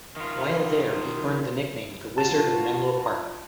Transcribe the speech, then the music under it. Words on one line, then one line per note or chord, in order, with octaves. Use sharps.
While there he earned the nickname the Wizard of Menlo Park.
D#3 F4
F4 F#4 A5